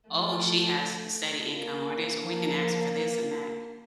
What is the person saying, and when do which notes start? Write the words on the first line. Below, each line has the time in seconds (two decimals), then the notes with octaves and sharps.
"Oh, she has a steady income or this, or we can ask her for this and that."
0.10 F3 A3
1.50 A#3
2.20 F3 A#3